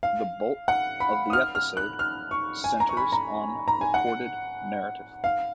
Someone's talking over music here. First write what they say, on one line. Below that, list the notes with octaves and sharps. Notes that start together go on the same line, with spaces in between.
The bulk of the episode centres on recorded narrative.
F5
F#5
B5
D#6
F6
F6
F#6
F6
C#6
G#5
A#5
C#6
B5
A#5
A#5
G#5
F#5
F5